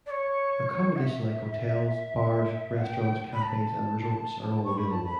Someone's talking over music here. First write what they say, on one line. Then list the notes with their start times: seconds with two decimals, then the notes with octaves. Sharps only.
Accommodation like hotels, bars, restaurants, cafes, and resorts are all available.
0.06 D5
0.10 C#5
0.96 F#5
1.01 E5
2.82 G5
3.33 B5
3.42 A5
4.64 C#6
4.77 B5
4.90 A5
5.04 B5